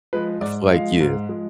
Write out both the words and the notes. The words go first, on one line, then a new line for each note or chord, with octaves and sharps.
I feel like yeah.
F3 G#3 B4
G#2 D5
F3 G#3 F5
G#2
F3 G#3